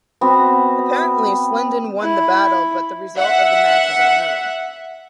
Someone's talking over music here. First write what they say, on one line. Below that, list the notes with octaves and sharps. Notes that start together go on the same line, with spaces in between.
Apparently, Slindon won the battle but the result of the match is unknown.
B3 C4 F#4
E4
E5 F#5